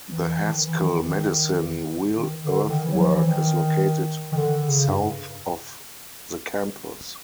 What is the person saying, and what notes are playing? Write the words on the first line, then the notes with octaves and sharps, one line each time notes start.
The Haskell Medicine Wheel Earthwork is located south of the campus.
E3
E3
D#3
E3
E3
D#3
D#3
D#3
D3
D#3
E3
F#3
F3
E3
D#3
D#3
D3
C#3
G2